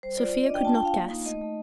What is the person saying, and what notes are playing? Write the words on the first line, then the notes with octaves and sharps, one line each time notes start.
Sofia could not guess....
G3 C5
F4 D5
F4 D5
D#5
D4 G5
F4 A5
G5
F4
F5
A#3
D#4
A3 D#5
A3